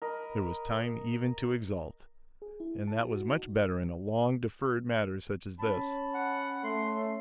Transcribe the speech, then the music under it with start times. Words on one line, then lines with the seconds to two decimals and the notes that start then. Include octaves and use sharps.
There was time even to exult, and that was much better in a long-deferred matter such as this.
0.02 A#4 D#5 B5
2.42 G#4
2.60 E4
2.87 A5
3.04 F#4
3.28 D#4
5.59 C#4 A5 B5
6.14 F#5
6.64 A3 C6